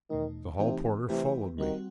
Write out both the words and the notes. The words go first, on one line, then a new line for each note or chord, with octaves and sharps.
The hall porter followed me.
E2 B2 D#3 A3 D#4
C3 E3 A3 C4 D#4 G4
C3 E3 A3 E4 G4 B4
D#3 G3 C4 F#4